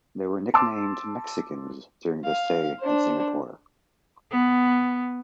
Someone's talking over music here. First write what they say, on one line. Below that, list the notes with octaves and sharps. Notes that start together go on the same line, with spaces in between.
They were nicknamed "Mexicans" during their stay in Singapore.
A5 C6 D6 E6
F5
D4 C5
B3